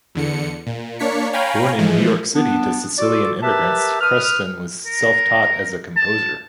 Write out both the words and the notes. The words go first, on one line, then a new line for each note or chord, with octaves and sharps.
Born in New York City to Sicilian immigrants, Creston was self-taught as a composer.
E2 D3 C#7
A#2
A#3 D4 C#5 B6 C#7
C#5 F5 G5 G#5 A#5 B5
E3 F3 G#3 A3
B3 D4
F4 F#4 A4 D5
G4 A#4 B4 E5 A5
B4 D#6 F6
A#4
A5